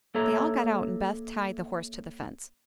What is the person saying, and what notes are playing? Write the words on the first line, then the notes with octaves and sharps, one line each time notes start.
They all got out and Beth tied the horse to the fence.
A#3 G4 A4 C#5 E5 A#5